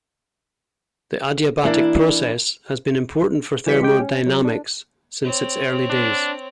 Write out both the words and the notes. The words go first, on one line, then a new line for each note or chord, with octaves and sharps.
The adiabatic process has been important for thermodynamics since its early days.
E3 A#3 D4 E4 D5
E3 G3 B6 C#7
G#3 G4 G5
C#4
F#3
D4
C4 C#5
D4